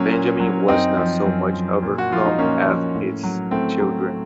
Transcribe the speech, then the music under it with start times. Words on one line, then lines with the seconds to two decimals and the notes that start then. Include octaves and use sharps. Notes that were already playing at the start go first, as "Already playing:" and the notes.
Benjamin was not so much overcome as his children.
Already playing: A#2 F#3 A#3 C#4
0.12 A#2
0.40 F#3
0.68 F#2 C4 D#4
0.97 F3
1.25 F#2
1.53 F3
1.82 A#2
1.98 F#4
2.10 F3 F4
2.26 D#4
2.39 A#2 A#3 C#4
2.67 F3
2.95 A2
3.23 F#3
3.51 A2 A3 C4
3.80 F#3